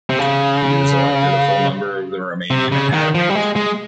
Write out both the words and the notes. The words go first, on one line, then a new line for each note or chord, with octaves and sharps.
He was elected a full member of the Romanian Academy.
C3
C#3
C3
C#3
D#3
F3
G3
G#3
G#3